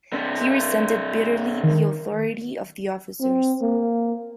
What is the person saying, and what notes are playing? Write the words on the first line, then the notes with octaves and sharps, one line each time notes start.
He resented bitterly the authority of the officers.
C3 D4
D#3
C4
A#3